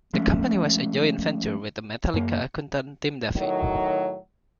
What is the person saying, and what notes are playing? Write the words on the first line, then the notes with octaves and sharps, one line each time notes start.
The company was a joint venture with Metallica accountant Tim Duffy.
F3 G#3 A3 C#4
F#2 A#3
A2 D#3 F#3